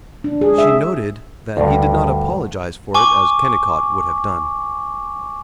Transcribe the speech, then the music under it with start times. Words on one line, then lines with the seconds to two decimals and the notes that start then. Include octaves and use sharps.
She noted that he did not apologize for it, as Kennicott would have done.
0.24 D4
0.41 G#4
0.58 E5
1.57 D2 G2
2.94 G#5 C#6 D6